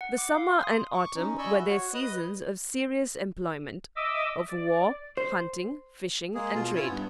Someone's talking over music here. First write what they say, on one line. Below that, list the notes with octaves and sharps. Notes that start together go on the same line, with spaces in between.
The summer and autumn were their seasons of serious employment,--of war, hunting, fishing, and trade.
F#5
D6
F5
C6
D#6
C#6 D6
C#4 D#4
D5 D#5 G#5 B5 C#6 E6
F#4 E5
F#4 C#5
B4 D#5 D#6
D#5 E5 D6 E6
D5
C5
G#3 A#3 G#4
B2 F4
C#4 E4 F4 C#5
G2 B3